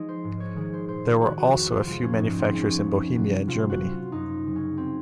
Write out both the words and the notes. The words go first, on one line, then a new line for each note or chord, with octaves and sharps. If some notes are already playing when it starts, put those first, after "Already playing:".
There were also a few manufacturers in Bohemia and Germany.
Already playing: F3 G#3 D#4 F4 D#5
C5
G#2
C#5
D#3 G#3
C5
A#2 C5
F3 G#3 F#4
F#4
F2 F#4
F4
C3 F3 G#3 F4
C#4
G#2 D#4
C4
F3 G#3
C#4
F2
C3 F#3
C3 F4
F#4
F#3
F4
F#2 D#4
C#3 F#3
C#4
C4